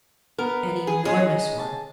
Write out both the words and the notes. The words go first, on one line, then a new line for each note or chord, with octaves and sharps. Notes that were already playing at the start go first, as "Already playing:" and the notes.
"An enormous one."
B3 A#4
G#4
G#3 C#4 D#4 G#4
A5